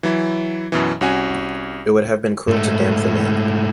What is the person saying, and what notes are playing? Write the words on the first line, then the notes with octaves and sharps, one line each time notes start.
It would have been cruel to damp the man.
E3 F#3 E4
F#2 B2 E3
C2 C#4 F#4 G#5
G#2 A3